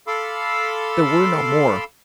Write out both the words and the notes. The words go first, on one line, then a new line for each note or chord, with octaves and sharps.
There were no more.
A4 F5 B5 C6 D6 E6